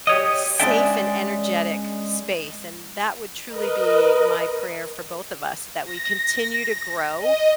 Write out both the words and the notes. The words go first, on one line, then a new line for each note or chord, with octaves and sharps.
safe and energetic space and that would truly be my prayer for both of us that we continue to grow,
G4 C#5 D#5
G#3 C#4 D4 D5 E5 G5
A#4 B4 D#5
A#6
D#5